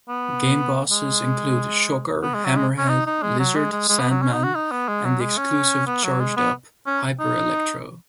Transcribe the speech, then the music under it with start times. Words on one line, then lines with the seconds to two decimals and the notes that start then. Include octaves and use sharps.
Game bosses include Shocker, Hammerhead, Lizard, Sandman and the exclusive charged-up Hyper-Electro.
0.09 B3
0.91 G#3
2.23 B3
2.34 G#3
2.45 F#3
2.56 G#3
2.78 C#4
2.89 D#4
3.06 D#4
3.23 G#3
3.39 F#3
3.56 G#3
3.72 G#3
3.89 G#3
3.99 B3
4.11 F#3
4.22 C#4
4.32 D#4
4.43 F#4
4.55 D#4
4.72 B3
4.88 G#3
5.05 F#3
5.21 G#3
5.37 C#4
5.87 B3
6.04 F#3
6.20 G#3
6.37 B3
6.86 C#4
7.19 D#4